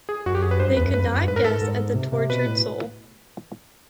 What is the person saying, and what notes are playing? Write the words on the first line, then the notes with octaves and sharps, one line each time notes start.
They could not guess at the tortured soul.
G#4
F#2 F#4
G4
G#4
B4
G2 C5
F#2
E2 B4
F#2
G2 B4
F2
F#2
G2
G#2 B4
A#4
A4
G#2
C3
C3
B2 B4
A2